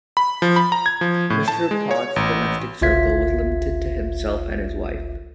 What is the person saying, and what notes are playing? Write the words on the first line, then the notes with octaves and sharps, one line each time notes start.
Mr. Pott’s domestic circle was limited to himself and his wife.
B5
F3
B5
A#5
G#6
F3
A2
A5
G#3
C#5
A1
G1 C#2 F4 E5 G#6 B6